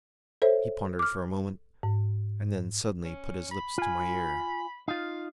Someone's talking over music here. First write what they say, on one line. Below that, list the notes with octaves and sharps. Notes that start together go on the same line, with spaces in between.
He pondered for a moment, and then suddenly put his lips to my ear.
A4 C5 C#5 E5
D6 F6
G#2
C#4
B5
F4 G#5
D#4 F4 F5